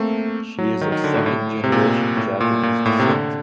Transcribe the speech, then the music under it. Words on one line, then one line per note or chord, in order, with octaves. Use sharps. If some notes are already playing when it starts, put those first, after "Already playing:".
She is of second generation Japanese descent.
Already playing: A3 A#3 C4
F#3
D#3
D#3
D3
A2
A2
C3
A#2
A2
A#2
A#2
A2
C3
D3